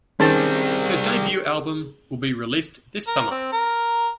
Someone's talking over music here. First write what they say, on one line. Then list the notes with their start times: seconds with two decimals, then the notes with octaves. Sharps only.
Her debut album will be released this summer.
0.20 D#3 G3 C4 C#4 G#4 C5 A5
3.07 A#4
3.31 C4
3.52 A#4